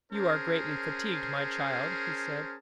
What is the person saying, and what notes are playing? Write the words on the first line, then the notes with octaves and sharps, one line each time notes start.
"You are greatly fatigued, my child," he said.
C#4 G#4 A#4 C5 A5